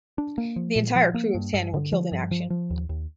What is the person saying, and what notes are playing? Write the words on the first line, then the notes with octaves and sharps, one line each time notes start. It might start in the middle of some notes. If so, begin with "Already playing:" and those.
The entire crew of ten were killed in action.
D4
A#3
F3
A#2
F3
A#3
G2
G2
D3
F3
G2
F3
F3
D#2
D#2